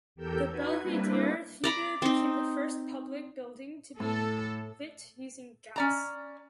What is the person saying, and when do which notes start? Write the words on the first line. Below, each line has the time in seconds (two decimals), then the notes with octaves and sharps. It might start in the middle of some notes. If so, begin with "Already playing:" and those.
The Belvidere Theatre became the first public building to be lit using gas.
0.15 E2 G4 A4 A#4 E6 G6
0.49 D#4 F#4 B4 G#6
0.82 G3 A#3 C4 D4 E4 B4
1.64 D5 A#5 B5
2.02 C4 D#4
4.00 A2 A4
5.76 C#4 D5 A#5